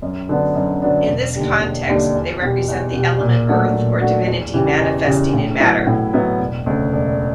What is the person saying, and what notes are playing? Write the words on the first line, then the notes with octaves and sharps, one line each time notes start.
In this context they represent the element earth or divinity manifesting in matter.
F#2
D3 F#3 B3 D4
F#2
D3 F#3 B3 D4
E1
D#2 D3 G3
E1
D#2 D3 G3
E2
B2 G3
E2
B2 G3
A#2
F#3 A3 D4 F#4
A#2
F#3 A3 D4 F#4
E2
C#3 E3 G3
E2
C#3 E3 G3
A2
F#3 B3 E4
A2
F#3 B3 E4
E1
D2 C#3
E1